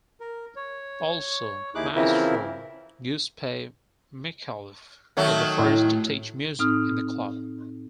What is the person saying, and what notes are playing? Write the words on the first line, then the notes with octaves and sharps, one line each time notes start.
Also, Maestro Giuseppe Micallef was the first to teach music in the club.
A#4
C#5
D#2 D#4 E4 G#4 D6 F#6
C#3 E3 F3 C4 E4 A#4
D#3 F#3 A3
A2
A2 C4 D#4 D#6 F6